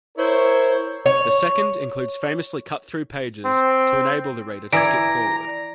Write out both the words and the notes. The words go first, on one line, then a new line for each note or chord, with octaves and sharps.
The second includes famously cut-through pages to enable the reader to skip forward.
E4 A#4 C5 C#5
C#5
C4
E3 D5 A#5 G#6 D7